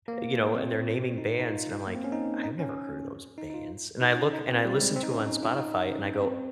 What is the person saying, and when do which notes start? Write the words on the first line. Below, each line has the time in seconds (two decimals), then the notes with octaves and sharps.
you know, and they're naming bands, and I'm like, "I've never heard of those bands". And I look and I listen to 'em on Spotify, and I go,
0.08 A#3
0.55 C4
1.18 D#4
1.39 D#4
1.49 F4
1.87 A#3
1.95 C4
2.04 C#4
2.12 D#4
2.43 D#4
2.59 C#4
3.38 D#4
3.50 D#4
3.54 F4
4.01 D#4
4.17 C#4
4.33 D#4
4.48 C4
4.65 G3
4.80 G#3
4.96 C4
5.03 D#4
5.11 C#4
5.27 D#4
5.43 F4
5.59 D#4
5.91 C#4
6.21 C4